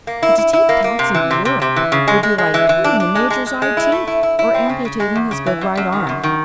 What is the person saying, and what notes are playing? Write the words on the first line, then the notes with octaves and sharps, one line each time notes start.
But to take Patsy to Europe would be like pulling the Major's eye teeth or amputating his good right arm.
A#3
E4
E4
E4
A#3
A#3
C3
E3
C3
C3
C3
E3
C#3
G#3
G#3
G#3
E3
E3
D4
D4
G#3
G#3
G#3
G#3
E4
A3
E4
E4
E4
C4
C#3
C#3
G#3
E2
C#3
E3
F#2
F#2
D#3
F#2
D#3